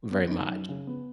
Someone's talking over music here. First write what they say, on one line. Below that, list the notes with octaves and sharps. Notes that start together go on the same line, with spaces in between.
very much.
B3
D#4
F#2
C#3
B3